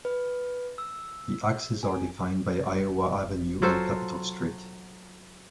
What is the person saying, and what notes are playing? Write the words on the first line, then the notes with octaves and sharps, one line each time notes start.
The axes are defined by Iowa Avenue and Capitol Street.
B4
E6
G#5
F#3 F4 A4 C5